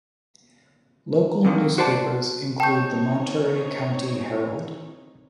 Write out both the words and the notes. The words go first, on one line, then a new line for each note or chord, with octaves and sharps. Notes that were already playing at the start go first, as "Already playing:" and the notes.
Locale newspapers include the "Monterey County Herald".
F2 D3 D#3
F#4 C5 D5 A5
C4 D#4 C#5 G5 A5 C#6 G6